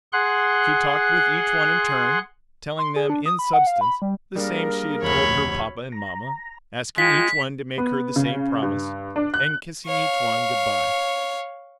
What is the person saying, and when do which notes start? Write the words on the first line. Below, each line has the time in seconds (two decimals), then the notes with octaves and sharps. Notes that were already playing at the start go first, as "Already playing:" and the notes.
She talked with each one in turn, telling them in substance, the same she had told her papa and mama, asking each one to make her the same promise, and kissing each one good-bye.
0.13 G#4 F#5 C6 F#6
2.78 C6
2.96 G#4
3.10 D4
3.26 D#6
3.39 B5
3.53 F#5
3.67 F5
3.81 B5
4.02 G3
4.35 G3 A#3 D4 G#4 A#4
5.03 F1 D2 C#5 B5
5.92 A#5
6.98 G#3 F4 G5 A5 B6
7.78 B3
8.16 C#3
8.63 G2
9.16 D4
9.34 F#6
9.86 C#5 F5